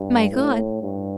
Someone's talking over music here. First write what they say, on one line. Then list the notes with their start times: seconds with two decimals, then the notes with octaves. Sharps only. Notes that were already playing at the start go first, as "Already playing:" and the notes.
"My God!"
Already playing: G2
0.31 A2
0.82 G2